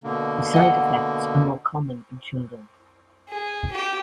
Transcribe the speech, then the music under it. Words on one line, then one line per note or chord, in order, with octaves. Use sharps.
The side effects are more common in children.
B2 D3 A#3
D#5 F#5
G#4
G4